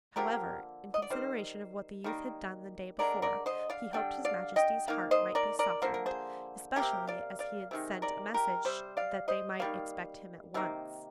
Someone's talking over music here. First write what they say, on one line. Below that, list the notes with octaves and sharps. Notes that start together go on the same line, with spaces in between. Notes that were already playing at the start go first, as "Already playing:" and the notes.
However, in consideration of what the youth had done the day before, he hoped his majesty's heart might be softened, especially as he had sent a message that they might expect him at once.
D3 F3 A#3 G4 A#4
D#5
D5
D#3 G3 C5
D#3 G3 A#3
D3 G#3 A#4 D5
A#4 D5
C5 D#5
D5 F5
D3 G3 G5
D5 F5
D#5 G5
D#3 A#3 F5
C5 D#5
A#4 D5
A#4 D5
D3 F3 A#3 C5
A#4
G#4 C5
G3 A#3 G4 A#4
C3
D5 F5
D5 F5
C3 D#3 G#3
A#4 D5
G4 A#4
C3 G3 C5
D5 F5
C5 D#5
D#3 G3 A#3 F5
C3 D#3 A#3